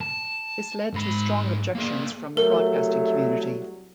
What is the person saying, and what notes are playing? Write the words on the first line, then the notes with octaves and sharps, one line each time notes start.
This led to strong objections from the broadcasting community.
A5
G#2 B5
A#3 G#4
C2 F#3 A3 A#4